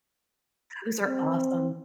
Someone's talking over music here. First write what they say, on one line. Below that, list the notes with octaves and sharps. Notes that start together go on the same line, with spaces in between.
Those are awesome.
C4